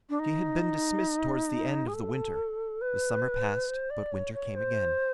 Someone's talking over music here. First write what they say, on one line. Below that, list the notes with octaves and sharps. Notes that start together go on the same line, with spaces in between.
She had been dismissed towards the end of the winter; the summer passed, but winter came again.
D4
D#4
G#4
A4
B4
C5
D5
C#5
C#5
C5